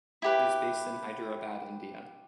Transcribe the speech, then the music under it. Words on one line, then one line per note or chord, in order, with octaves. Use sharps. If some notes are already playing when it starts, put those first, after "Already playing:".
It is based in Hyderabad, India.
E4 G4 B4